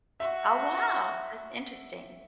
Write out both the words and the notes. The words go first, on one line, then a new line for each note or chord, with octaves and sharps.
Oh, wow! That's interesting.
F#4 E5